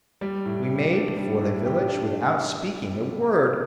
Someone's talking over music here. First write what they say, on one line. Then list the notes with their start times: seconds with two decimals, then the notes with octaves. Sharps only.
We made for the village without speaking a word....
0.21 G3
0.45 A2
0.70 G4
0.93 D4
1.17 G3
1.41 A2
1.65 G4
1.89 D4